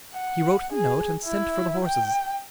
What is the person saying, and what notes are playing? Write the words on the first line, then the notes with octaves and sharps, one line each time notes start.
He wrote the note, and sent for the horses.
F#5
G#4
E4
G5